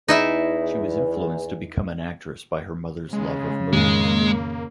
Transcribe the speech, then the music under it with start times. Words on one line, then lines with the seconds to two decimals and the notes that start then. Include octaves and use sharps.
She was influenced to become an actress by her mother's love of movies.
0.08 E2 D#4 E4 E5
3.13 C#3 G#3
3.73 F2 A2 D#3 G#3 A#3